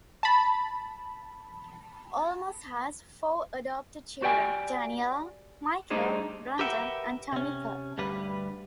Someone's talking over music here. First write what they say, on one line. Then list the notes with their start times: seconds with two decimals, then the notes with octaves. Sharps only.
Olmos has four adopted children: Daniela, Michael, Brandon, and Tamiko.
0.23 A5 B5
4.22 F#4 G4 D5 G5 G#5
5.90 G3 A3 D4 D#4 G#4 C5
6.59 G4 A#4 B4 E5 F#5 G5
7.33 C3 C#4
7.98 D2 G2 G3 B4